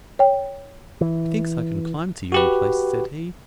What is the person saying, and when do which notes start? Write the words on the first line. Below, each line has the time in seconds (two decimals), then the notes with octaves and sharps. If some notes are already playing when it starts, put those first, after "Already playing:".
"Methinks I can climb to yon place," said he.
0.19 C#5 G5
1.01 E3
2.32 F#4 G4 B4